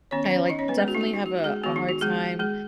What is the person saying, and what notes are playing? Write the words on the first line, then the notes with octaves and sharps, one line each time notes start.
like definitely have a a hard time
D#3 B3 C#4 C#5
C#4 C#5
D#4 D#5
C#4 C#5
B3 B4
G#3 G#4
F#4
D#4
F#4
D#4
F#4
G#3 G#4
D#3 B3 F#4
D#4
F#4
G#3 G#4
G#3 G#4